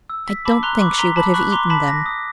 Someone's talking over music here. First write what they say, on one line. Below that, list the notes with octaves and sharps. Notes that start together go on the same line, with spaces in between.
I don't think she would have eaten them.
E6
B6
A5 B5 D6
A#5 C6 F#6
B5 C#6 D6
A#5 C6 B6
A5 B5 D6
B5 C#6 F#6
A#5 C6 D6
A5 B5 B6
A#6
D#6